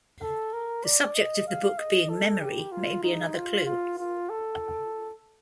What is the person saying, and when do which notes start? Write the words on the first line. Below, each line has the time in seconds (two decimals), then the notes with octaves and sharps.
The subject of the book being memory may be another clue.
0.22 A4
0.53 A#4
0.84 D5
1.15 D#5
1.47 F5
1.79 D#5
2.09 A4
2.41 G4
2.72 F4
3.03 D#4
3.34 F4
3.66 F4
3.98 F4
4.29 A4